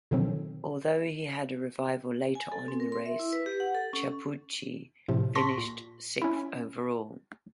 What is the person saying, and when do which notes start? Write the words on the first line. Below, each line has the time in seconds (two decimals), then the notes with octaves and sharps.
Although he had a revival later on in the race, Chiappucci finished sixth overall.
0.11 B2 D3 D#3 F3 F#3 C4
2.35 G#5
2.52 A4
2.68 C4
2.80 A#4
2.92 C6
3.06 E5
3.19 E4
3.33 B4
3.46 G4
3.60 F#5
3.75 A4
3.93 C#4
5.08 A2 C3 F3
5.35 A5 C6 C#6 A#6 B6
5.58 A#2
6.22 C#4 E4